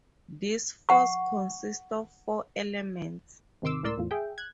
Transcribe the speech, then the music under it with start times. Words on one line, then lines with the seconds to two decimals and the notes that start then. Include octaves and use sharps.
This force consists of four elements.
0.89 F#5 C#6
3.62 G#1 C3 D#3 C6 D6 E6
3.83 C#2 A2 A#4 D5 C6 E6
3.98 E2 A2 F3
4.11 G#4 E5 G5
4.38 F#6 G#6